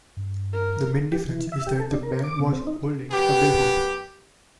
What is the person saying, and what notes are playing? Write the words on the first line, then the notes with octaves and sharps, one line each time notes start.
The main difference is that the bear was holding a billhook.
G2
A#4
G4
E3
E5
G4
A4
D4
A#4
D6
C3
C4
D#4
F#2 B3 G4